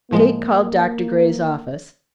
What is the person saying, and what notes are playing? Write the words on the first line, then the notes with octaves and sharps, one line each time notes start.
Kate called Dr. Gray's office.
A2 F3 G#3 A#3